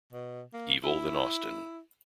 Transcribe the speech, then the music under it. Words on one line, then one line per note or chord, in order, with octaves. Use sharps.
Evil than Austin.
B2
A#3
E4